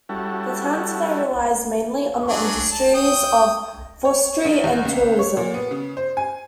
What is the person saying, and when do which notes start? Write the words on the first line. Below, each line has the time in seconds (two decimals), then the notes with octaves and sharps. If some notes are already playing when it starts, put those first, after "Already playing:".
The town today relies mainly on the industries of forestry and tourism.
0.09 G3 C#4 E4 F#4 A4
2.29 F#3 D4 G#4
2.71 A5
2.94 G5 D#6
4.05 C#5
4.45 A#1
4.64 E2
4.85 C#2
5.19 C#5
5.37 A#2
5.54 B3
5.71 C#3
5.97 C5
6.17 G#5